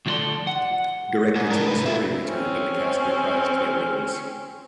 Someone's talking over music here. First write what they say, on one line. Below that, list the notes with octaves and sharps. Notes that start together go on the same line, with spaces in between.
Director Tim Story returned, and the cast reprised their roles.
D2 F3 E4 A4 D5 C6
F#5
G#2
D4 A#4
C3 B4
F4 E5
C4 C#4